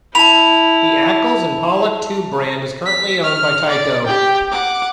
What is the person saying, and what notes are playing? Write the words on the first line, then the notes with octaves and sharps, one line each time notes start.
The Accles and Pollock tube brand is currently owned by Tyco.
E4 A5 B5 F7
B6
F6
D5
G4 G5
F#5 D6